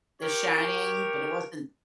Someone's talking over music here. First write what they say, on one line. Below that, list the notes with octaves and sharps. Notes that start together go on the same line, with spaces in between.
The Shining, but it wasn't
G4 A#4 C#5